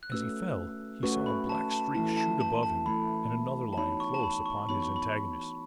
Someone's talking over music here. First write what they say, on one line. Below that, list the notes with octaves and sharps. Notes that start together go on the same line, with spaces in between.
As he fell he saw a black streak shoot above him and another lion close upon his antagonist.
F#6
A3 C#4 F#4 B4 E6
A3 C#4 F#4 B4 C#6
B5
A5
A5
E3 A3 E4 A5
A5
A5
A5
E3 A3 E4 B5
A5
E3 B3 D#4 F#4 C#5 B5
C#6
A5
B5
C#6
E3 B3 D#4 F#4 C#5 B5
C#6
B5